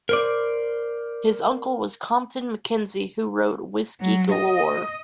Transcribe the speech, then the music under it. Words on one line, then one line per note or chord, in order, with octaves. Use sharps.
His uncle was Compton MacKenzie, who wrote "Whisky Galore".
A#4 C5 D5
F#3
D#5